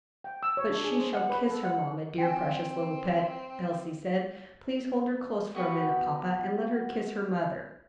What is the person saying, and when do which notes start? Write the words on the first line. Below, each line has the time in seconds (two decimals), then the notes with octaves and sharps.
"But she shall kiss her mamma, dear, precious little pet," Elsie said. "Please hold her close for a minute, papa, and let her kiss her mother."
0.24 G5
0.43 E6
0.57 C#5
0.70 D4
0.84 G#4
0.96 C5
1.13 F#5
1.29 B4
1.49 A4
1.63 F#5
2.18 C4 G5 G#5
5.55 B3 F#4 G4 B4